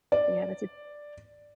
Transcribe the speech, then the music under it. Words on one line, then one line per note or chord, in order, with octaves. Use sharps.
Yeah, that's a
D5